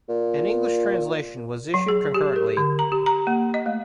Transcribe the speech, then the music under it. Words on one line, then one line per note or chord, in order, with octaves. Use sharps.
An English translation was issued concurrently.
A#2
F#3
G#4
G4
A#4
D3
A#5
G4
A#5
A#3
D#5
A3